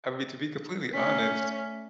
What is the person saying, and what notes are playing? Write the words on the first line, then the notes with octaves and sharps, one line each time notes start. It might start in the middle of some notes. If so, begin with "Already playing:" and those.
I mean, to be completely honest
A3 C#4 D5 B6